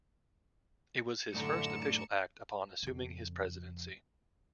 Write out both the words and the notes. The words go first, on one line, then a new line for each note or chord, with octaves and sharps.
It was his first official act upon assuming his presidency.
F#2 A2 D3 A3 D5 A#5 C#7 E7
F2 C#3